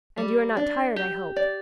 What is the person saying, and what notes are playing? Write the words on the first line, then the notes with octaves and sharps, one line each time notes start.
"And you're not tired, I hope."
G3
D4
G4
D5